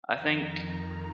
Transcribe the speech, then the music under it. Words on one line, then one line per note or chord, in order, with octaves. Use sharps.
I think,
F2 D#3 A#5